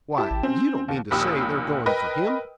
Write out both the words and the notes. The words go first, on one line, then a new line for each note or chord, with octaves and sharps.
Why, you don't mean to say they're going for him?'
E4 G4 A5
A1
C4 C#4
D#2
A#1 D#2 G4 B5 D#6 E6
A#4 B4 D#5 G5